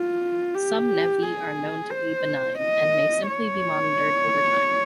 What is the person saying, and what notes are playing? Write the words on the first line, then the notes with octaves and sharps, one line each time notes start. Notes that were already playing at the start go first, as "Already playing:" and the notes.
Some nevi are known to be benign, and may simply be monitored over time.
Already playing: F4
G4
G#4
C5
D#5
C#5